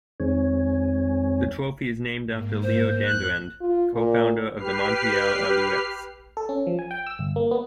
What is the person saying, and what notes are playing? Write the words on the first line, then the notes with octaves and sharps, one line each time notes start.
The trophy is named after Leo Dandurand, co-founder of the Montreal Alouettes.
F2 D#3 G#3 C4 C#5 G#5
G#2 A#3
C5
F2 F#6 G6
F4
A#2
G4 B4 F6 C7
A4
C#4
F3
G#5
G5
E6
G1
A#3
B3